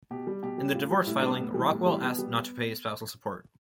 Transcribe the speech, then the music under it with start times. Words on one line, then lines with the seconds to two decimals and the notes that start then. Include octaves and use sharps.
In the divorce filing, Rockwell asked not to pay spousal support.
0.11 B2 G4
0.27 G3
0.43 B2 G4
0.58 G3
0.75 A2 F4
0.91 G3
1.07 A2 E4
1.18 G3 D4
1.28 B3
1.39 A2
1.54 E3 G3
1.71 A2
1.86 E3 G3
2.02 B2 B3
2.18 G3